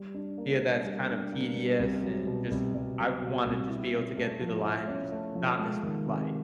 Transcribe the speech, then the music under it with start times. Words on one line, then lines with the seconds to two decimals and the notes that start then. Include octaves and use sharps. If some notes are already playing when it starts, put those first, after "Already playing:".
yeah, that's kind of tedious and just I wanna just be able to get through the line and just not miss my flight.
Already playing: G3
0.14 D4
0.38 A#3
0.61 G3
0.85 G3
1.09 D4
1.32 A#3
1.56 G3
1.80 C2
2.03 F#3
2.27 B2
2.51 C2
2.74 C2
2.98 F#3
3.22 B2
3.46 C2
3.69 E4
3.93 C#4
4.17 A3
4.40 F3
4.64 E4
4.88 C#4
5.12 A3
5.35 F3
5.59 G#3
5.83 D#3
6.06 C3